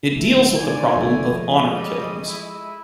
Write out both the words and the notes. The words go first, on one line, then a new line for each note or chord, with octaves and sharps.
It deals with the problem of honour killings.
D1 D2 E4 A4
D3 D#4 D5 G#5
F#1 D#3 A3
F3 G#3 D#5
G3
E4